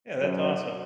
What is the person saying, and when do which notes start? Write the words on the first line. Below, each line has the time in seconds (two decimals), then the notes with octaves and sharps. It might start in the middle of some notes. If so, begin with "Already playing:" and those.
Yeah, that's awesome.
0.20 F#2